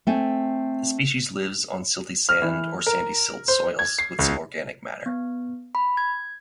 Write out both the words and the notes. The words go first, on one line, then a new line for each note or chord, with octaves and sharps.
The species lives on silty sand or sandy silt soils with some organic matter.
A3 C4 G#5
F6
E3
A#4
C5
G#6
C7
C#2
B3
B5
G#6